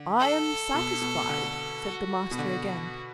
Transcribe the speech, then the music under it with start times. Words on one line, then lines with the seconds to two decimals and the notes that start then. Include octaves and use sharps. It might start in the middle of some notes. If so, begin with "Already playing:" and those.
"I am satisfied," said the master again.
Already playing: D3
0.20 A4
0.74 B2
1.02 B2
1.29 D3
1.84 F#4
2.31 B2
2.39 D3